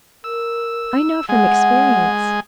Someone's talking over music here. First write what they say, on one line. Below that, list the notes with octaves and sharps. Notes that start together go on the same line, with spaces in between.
"I know from experience."
A#4 E6
G#3 F#5 G#5